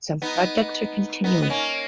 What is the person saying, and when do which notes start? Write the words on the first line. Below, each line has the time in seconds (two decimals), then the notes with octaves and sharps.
Some projects are continuing.
0.22 B3 D#4
1.24 B3 D#4
1.42 B3
1.50 A#3 C#4